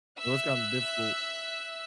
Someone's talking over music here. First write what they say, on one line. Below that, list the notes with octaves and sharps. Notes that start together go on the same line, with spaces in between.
so it's, kinda, difficult,
E5 E6 F#6